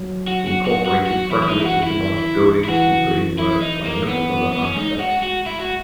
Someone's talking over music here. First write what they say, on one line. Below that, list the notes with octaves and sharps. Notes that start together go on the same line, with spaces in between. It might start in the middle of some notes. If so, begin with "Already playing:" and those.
He incorporated fragments of demolished buildings, including works by a number of other architects.
Already playing: F#3
F#4
F#4
F#4
F#4
F#4
E3 E4
E4
D#4
E4
F#4
E4
E4
E3 F#4
E4
D#4
A#3
B3
B3
C#4
G#3 D#4
F#4
F#4
E4
F#4